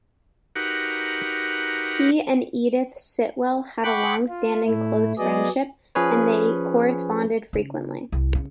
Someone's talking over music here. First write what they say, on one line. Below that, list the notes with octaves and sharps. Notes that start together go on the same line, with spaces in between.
He and Edith Sitwell had a long-standing close friendship and they corresponded frequently.
D#4 F#4 G4 A#4 B4 F#5
F#5 G5 B5 C#6 D6 F#6
F4
A2 A3 E4
F#3 B3 G#4 D5 D#5
F3 C#4 G#4 B4 C#5
C#3
C2
C#3